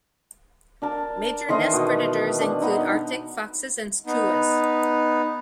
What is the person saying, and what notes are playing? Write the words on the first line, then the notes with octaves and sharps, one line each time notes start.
Major nest predators include Arctic foxes and skuas.
D4 A#4 A5
D#3 E3 C5 D#5
B2
D4
B3 D#4
B3 D#4